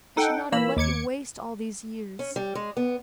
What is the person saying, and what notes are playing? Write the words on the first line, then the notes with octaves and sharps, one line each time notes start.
I should not have let you waste all these years.
D#4 A4 F#5 G5
A#2 E3 A#3 B5 E6
D#2 D6 G#6 C#7
C#4
G3
G#3
B3